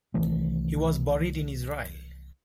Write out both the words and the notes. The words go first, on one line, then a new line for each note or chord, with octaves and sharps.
He was buried in Israel.
C2 D#3 E3 A3